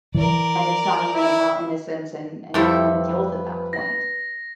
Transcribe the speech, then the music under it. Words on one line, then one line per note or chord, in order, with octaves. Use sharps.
And it's not even about innocence and and cr and guilt at that point,
E3 A#4 D5
E4
F2 G3 A3 E4 A4 B4 E5
A#6